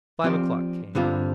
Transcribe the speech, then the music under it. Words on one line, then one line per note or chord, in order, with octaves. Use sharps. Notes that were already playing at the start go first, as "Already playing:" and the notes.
Five o'clock came.
F3 C4 G4 D5
G2 D3 G3 C4 F4